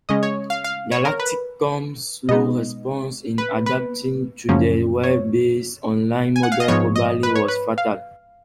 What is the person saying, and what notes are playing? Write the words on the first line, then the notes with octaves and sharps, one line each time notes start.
Galacticomm's slow response in adapting to the web-based online model probably was fatal.
C#3 G#3 C#4 D#5
C#5
F5
F5
C#5
A#4
B4
B2 G#3 B3 D#4 D#5
B4
B4
F#2 C#3 F3 A#3 C#4
C#5
G#5
F#5
F5
D#5
G#2 F3 B3 C#5
D#5
B4
C#5
B4
F5